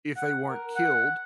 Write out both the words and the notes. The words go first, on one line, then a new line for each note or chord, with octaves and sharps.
if they weren't killed,
F#5
A#4
F#5